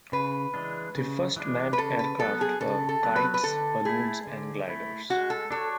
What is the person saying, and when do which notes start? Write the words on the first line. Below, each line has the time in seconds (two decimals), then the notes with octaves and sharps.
The first manned aircraft were kites, balloons and gliders.
0.12 C#3 B4
0.54 E3 G#3 D4
0.95 C#3
1.36 E3 G#3 D4
1.73 B4
1.79 C#3 A4
1.99 B4
2.19 F#3 B3 A4
2.41 G#4
2.61 C#3 A4
2.89 A4
3.03 F#3 B3
3.16 B4
3.34 B4
3.43 D3 A4
3.85 A3 E4 G#4
4.27 D3
4.68 A3 E4
5.10 G#3 F#4
5.30 A4
5.51 D4 F#4 A4 C#5